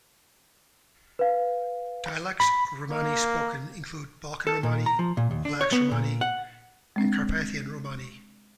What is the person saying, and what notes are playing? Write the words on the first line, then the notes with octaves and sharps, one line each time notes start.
Dialects of Romani spoken include Balkan Romani, Vlax Romani, and Carpathian Romani.
B4 F5
B5
A#3
A4
A#2
A#5
F3
A#2
D#2
D4
C#5
B3
A#2
F#5
G#3 C4 D4